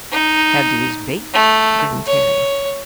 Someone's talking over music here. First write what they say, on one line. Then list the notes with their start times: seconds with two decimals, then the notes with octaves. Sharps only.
"Have to use bait," grinned Terry.
0.11 D#4
1.33 A3
2.07 C#5